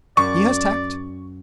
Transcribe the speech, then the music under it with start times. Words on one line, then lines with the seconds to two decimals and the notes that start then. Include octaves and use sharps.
He has tact.
0.17 F#2 D5 C#6